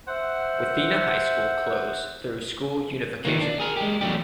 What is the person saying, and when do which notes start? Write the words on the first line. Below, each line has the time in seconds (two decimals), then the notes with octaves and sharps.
Wathena High School closed through school unification.
0.07 C5 E5 F#5
3.25 D#3 E3 A#3
3.41 D4
3.60 G#4 A#4
3.76 G#3 G4
4.01 E2 E3 F#3 A3 D4 G4